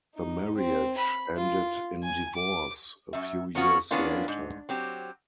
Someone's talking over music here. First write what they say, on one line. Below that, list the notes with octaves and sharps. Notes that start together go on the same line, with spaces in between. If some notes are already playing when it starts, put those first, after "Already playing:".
The marriage ended in divorce a few years later.
D#4
C4
B5
F4
G#5
D6
F#2 E5
F#3 B3 C#4 F4 F#4
E3 A#3 B3 C#4 D4 F4
G#2
F#3 C4 G4